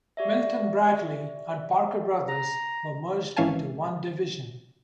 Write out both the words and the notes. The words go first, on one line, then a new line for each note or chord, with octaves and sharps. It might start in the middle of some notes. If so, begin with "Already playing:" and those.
Milton Bradley and Parker Brothers were merged into one division.
G4 D5 E5
A#5
G#1 E3 C#4 F5 G#5 A5